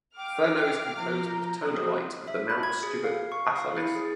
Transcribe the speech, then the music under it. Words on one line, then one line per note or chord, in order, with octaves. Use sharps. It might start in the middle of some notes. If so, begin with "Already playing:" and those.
Fernow is composed of tonalite of the Mount Stuart batholith.
F5 G5 D6 F6
F3 F4 A#5 G6
A#3 C4 F#4 D#6
E5
B5
G#6
G#4
F5
C#6
F5
E4
G#4